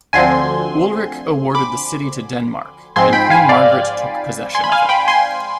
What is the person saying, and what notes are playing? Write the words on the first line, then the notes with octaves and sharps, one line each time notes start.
Ulrich awarded the city to Denmark, and Queen Margaret took possession of it.
D2 D3 F3 C4 G#5 C6
B5 D6
G#2 F3 C4 G#5 C6
G5 B5
F5 G#5
D5 F5
G#5 C6
B5
F5 G#5
G5 B5
G#5 C6